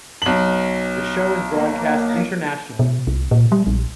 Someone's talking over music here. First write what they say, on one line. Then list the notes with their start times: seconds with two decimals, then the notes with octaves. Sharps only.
The show is broadcast internationally.
0.22 B1 F#7
1.57 A#3
2.79 B2
3.07 C2
3.31 A#2
3.52 G3
3.67 A#1